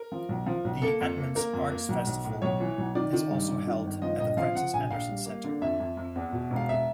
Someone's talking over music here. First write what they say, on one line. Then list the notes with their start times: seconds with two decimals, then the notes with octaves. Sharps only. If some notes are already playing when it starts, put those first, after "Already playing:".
The Edmonds Arts Festival is also held at the Frances Anderson Center.
Already playing: A#4
0.12 F3
0.29 B1
0.46 F3
0.65 B1
0.82 A#3 A4
1.01 F2
1.18 A#3
1.35 A#3 A#4
1.53 F2
1.71 A#3
1.89 B1
2.07 B1
2.25 A2
2.42 B1 C#5
2.60 E3
2.78 B1
2.95 D#3 D5
3.13 D#3
3.31 G2
3.48 G2
3.67 D#3
3.84 G1
4.02 F3 D#5
4.20 A#1 D#5
4.37 F3 F5
4.55 F3 F#5
4.73 A#1 G#5
4.91 A#1 F5
5.09 G3
5.26 A#3
5.44 D3
5.62 F2 E5
5.80 F2
5.97 F2
6.16 E2
6.33 B2
6.51 E1
6.56 F5
6.69 E5